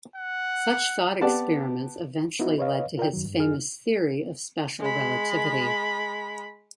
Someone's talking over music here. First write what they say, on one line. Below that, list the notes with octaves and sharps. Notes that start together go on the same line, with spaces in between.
Such thought experiments eventually led to his famous theory of special relativity.
F#5
B3 G4 D5 F#5 A5
B3 D#4 E4 F#4
B4 C#5 D#5 F5
F4 A#4 D5 G5
F#2 D#3 F#3
G2
F#2 D#4 G#4 F6
G#3 B5